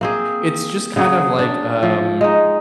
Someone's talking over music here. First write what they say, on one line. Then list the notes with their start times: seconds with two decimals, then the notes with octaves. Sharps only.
It's just kind of like, um
0.01 A#3 C4 G#4
0.96 C#3 F#3 G#4
1.39 D4
1.83 F3
2.21 G#3 D#4